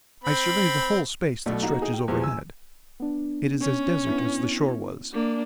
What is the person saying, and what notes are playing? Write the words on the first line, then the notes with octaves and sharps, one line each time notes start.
I survey the whole space that stretches overhead; it is as desert as the shore was.
C4 B5
B1 B2 A3 D5
A#3 D#4 F#4
D#4 G#4
G5
E2 E3 F3 G3 G#3
G#5 E6
B3 D4
C#4
B3 D4 E4
A#3 D4